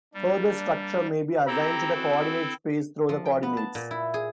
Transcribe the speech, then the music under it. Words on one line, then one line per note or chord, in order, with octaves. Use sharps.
Further structure may be assigned to the coordinate space through the coordinates.
G3 A#3 D4
C4 E4 G4 A4 A#5
B3 C#4 F#4
F3
G5
B3
A5
A#2
E4
G#4